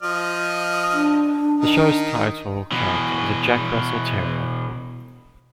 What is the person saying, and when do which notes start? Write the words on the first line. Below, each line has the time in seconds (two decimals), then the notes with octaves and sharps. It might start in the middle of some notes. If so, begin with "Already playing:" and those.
The show's title character is a Jack Russell Terrier.
0.03 F3 D#5 F6
0.93 D4
1.61 D#3 D#4
2.72 B2 E3